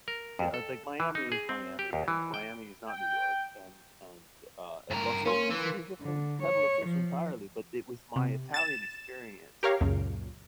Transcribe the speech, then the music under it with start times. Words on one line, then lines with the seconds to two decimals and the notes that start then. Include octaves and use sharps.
Yeah, I think Miami is Miami, and Miami is not New York, and and, uh, and Los Angeles is a different kettle of fish entirely, but it was my Italian experience
0.08 A#4
0.39 F2
0.54 A4
1.00 E3
1.15 D#4
1.32 G#4
1.49 C4
1.79 G4
1.93 D#2
2.08 E3
2.34 G5
2.89 G5
4.91 G2 A#4
5.25 A#3 C#4 C6
5.50 E3
6.02 D3
6.43 C#5
6.86 F3
8.16 C3
8.54 A6 E7
9.63 G4 A#4 C#5 F5
9.81 C#2 F#2 A#2 C#3